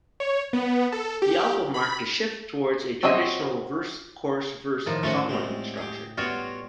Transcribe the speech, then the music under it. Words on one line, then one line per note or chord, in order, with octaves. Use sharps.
The album marked a shift towards a traditional verse-chorus-verse songwriting structure.
C#5
B3
A4
G4
B5
C4 F#4 C#5 D#5 E5
A2 D#3 F3
F3 A3 C#4 F#4 G#5
G3 G#3 C4
G4 G#4
G3 B3 F4 F#4 C#5